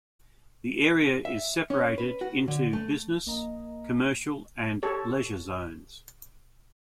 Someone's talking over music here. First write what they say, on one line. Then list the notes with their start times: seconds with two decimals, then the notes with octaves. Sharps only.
The area is separated into business, commercial and leisure zones.
1.25 E5
1.70 C#4
1.98 B4
2.21 F#4
2.48 D3
2.73 A3
3.26 A#1 A#3 D#5 A#5
4.83 G4 A4 C#5